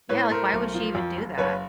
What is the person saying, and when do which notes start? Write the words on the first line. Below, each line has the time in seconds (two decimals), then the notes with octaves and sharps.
Yeah, like, why would she even do that?
0.09 A2 B4 C#5
0.31 A3 A#4 C5
0.53 B1
0.74 F3
0.95 F2
1.16 F#1
1.38 F#1 B4 C#5